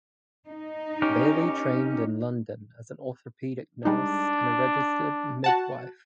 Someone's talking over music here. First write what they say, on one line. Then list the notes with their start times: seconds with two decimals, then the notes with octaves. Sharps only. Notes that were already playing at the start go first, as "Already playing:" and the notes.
Bailey trained in London as an orthopaedic nurse and registered midwife.
0.48 D#4
1.02 C#4 G4 A#4
3.85 G3 G#3 D4 D#4
5.44 F#4 F#5 A5